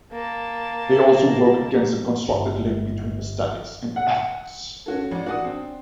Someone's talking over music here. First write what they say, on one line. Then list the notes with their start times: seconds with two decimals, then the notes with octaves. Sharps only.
They also work against the constructed link between aesthetics and ethics.
0.12 A#3 A5
2.28 G1
3.96 F#5
4.86 C#4 F#4 A4
5.11 A1 D5
5.26 F#4 D5 F#5 G#5 D#6
5.44 C4 D4